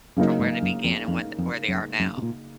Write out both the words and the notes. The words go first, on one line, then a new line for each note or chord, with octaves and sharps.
from where they began and when where they are now.
F#2 C#3 F#3 A#3 D#4
G#2
F#2
F2
F2
F2
F#2
F#2
C3
A#2